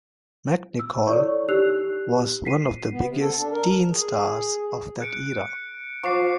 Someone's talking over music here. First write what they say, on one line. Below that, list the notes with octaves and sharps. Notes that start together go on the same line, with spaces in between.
McNichol was one of the biggest teen stars of that era.
E6
E4 A4 C#5 D5 C#6
D#4 G4 E6 F#6 C7 F7
B6 C7 D#7
B3
C3
A4
D4
A#4
G#4
F#6 C#7 D7
F3 C#6 D6 C7